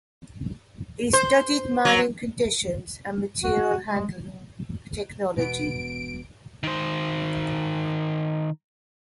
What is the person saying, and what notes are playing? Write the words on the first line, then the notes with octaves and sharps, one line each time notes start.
He studied mining conditions and material handling technology.
C5
F#3
F#4
G#3
E1 B2 B3 D7
D#3 C5